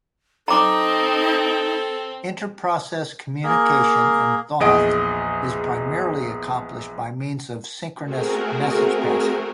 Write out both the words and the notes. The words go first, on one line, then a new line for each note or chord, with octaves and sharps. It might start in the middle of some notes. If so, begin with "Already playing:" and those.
Inter Process Communication in Thoth is primarily accomplished by means of synchronous message passing.
C4 D#4 A4 A#5 D6
A#3 G#4 A#4
A#1 E2 G#4 D#5 D7
A3 C4 F#4 G#4 A#4